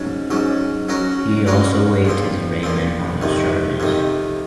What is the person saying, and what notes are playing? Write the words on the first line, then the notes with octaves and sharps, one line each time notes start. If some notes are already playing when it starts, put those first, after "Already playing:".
He also waived his arraignment on those charges.
Already playing: G#2 F#3 C#4
G#2 F#3 C#4
F#3 C#4 F#4 A#4
F#3 C#4 F#4 A#4
A#2 F3 C4
A#2 F3 C4
F2 C3 D#3
F2 C3 D#3